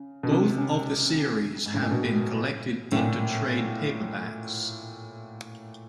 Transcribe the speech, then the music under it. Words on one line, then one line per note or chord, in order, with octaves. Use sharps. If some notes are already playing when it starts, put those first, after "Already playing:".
Both of the series have been collected into trade paperbacks.
Already playing: C#3
B2
C3
C#3
G#2
A2
A#2
B2
A2
A#2